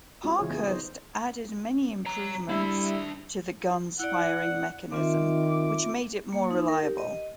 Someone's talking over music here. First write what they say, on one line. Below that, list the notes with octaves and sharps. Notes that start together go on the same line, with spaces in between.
Parkhurst added many improvements to the gun's firing mechanism which made it more reliable.
G#3 C4 C#4 F4 F#4
C#3 E3 E4 F4 G#4 C#5
B3 C#4 G#4
D#4 C5 D#5
C#5 A#5
G3 D4 E4 E5
E4 D5 F#5
D#3 C4 F4 E5 D6
A#3
D#4
A#4
G4
D#5